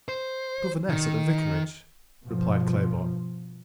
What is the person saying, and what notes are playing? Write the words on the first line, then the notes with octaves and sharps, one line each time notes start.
"Governess at the vicarage," replied Claybourne.
C5
D#3
G2 B2 F3